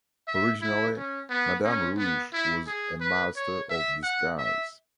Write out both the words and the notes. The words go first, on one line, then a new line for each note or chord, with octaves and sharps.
Originally, Madame Rouge was a master of disguise.
E5
E4
C#4
B3
C#4
B3
E4
G#4
B4
C#5
E5
F#5
E5